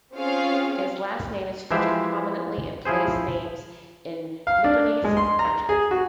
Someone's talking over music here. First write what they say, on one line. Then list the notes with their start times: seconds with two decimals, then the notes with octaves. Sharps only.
His last name is featured prominently in place names in Nippenose Township.
0.13 C4 C#4 F4 G#4 F5
1.71 E3 F3 G#3 G4 C5 E5
2.85 F3 E4 G#4 C5
4.47 F5
4.64 D4
5.04 G#3
5.17 C6
5.39 A#5
5.69 G#4
5.91 F#4